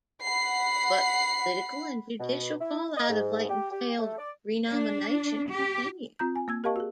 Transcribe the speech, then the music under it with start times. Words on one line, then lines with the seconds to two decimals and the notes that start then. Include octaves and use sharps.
But the political and judicial fallout of Layton's failed renomination continued.
0.24 F#5 B5 C7
2.20 B2
2.60 E4
2.97 D#5
3.09 G#2
3.49 G4
3.71 G4
3.99 A3
4.18 D5
4.70 D4
5.51 G4
6.19 C4 F4 A#5 G6
6.36 G#5
6.48 A#3 E6 G#6
6.64 G4 A#4 D#5 F5 A5 C#6
6.76 F#4 G#4